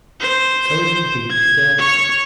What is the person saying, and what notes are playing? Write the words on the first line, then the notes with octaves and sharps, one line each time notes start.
So it had been today.
C5
C5
G#6
C#5 C#6